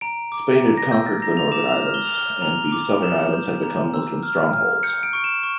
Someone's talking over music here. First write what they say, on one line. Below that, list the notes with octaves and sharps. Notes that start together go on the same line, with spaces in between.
Spain had conquered the northern islands, and the southern islands had become Muslim strongholds.
A#5 D7
D6
A#5
A#6
E6 G6
A6
A#5 A#6
F7
D6 E7
F7
F6
G7
F7
F6 G7
A#5 F7
D6
G6 E7
G6
A#5
E6
F6
F6
G6 C#7
D7
C#6 D7
E7
C#6